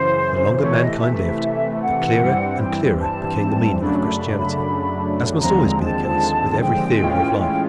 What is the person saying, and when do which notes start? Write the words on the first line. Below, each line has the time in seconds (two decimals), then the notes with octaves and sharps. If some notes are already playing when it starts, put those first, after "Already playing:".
The longer mankind lived, the clearer and clearer became the meaning of Christianity, as must always be the case with every theory of life.
Already playing: F#2 C#3 E3 C5
0.60 C3 E3 A3 C#5
0.76 D5
0.80 D#5
1.01 E5
1.81 F#5
2.21 G2 E3 G3 C4
2.61 G5
3.01 A5
3.81 F#2 C#3 F#3 A3 D4 B5
5.41 D#2 D3 F3 G#3 C4 A#5
5.81 A5
6.60 G5
7.00 A2 E3 G#3 C#4 F4
7.40 G5